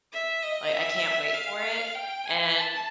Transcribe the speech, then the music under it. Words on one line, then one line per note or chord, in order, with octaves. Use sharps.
I I can't wait for it, and
E5
D#5
E5
F5
G5
G#5
A5